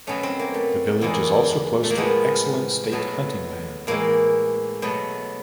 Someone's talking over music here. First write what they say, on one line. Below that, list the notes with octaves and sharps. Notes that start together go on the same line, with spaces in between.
The village is also close to excellent state hunting land.
B2 F#3 A3 C#4
C4
A#3
A3
E2 B2 G#3 A#3
A3
A#3
A2 F3 G#3 B3
B2 F#3 A3
A2 E3 G#3 A#3
B2 F#3 A3